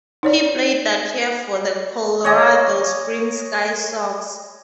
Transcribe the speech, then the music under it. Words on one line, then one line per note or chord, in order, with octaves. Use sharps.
He played that year for the Colorado Springs Sky Sox.
D#4 C#5 D5
C#5 D#5 G#5 D6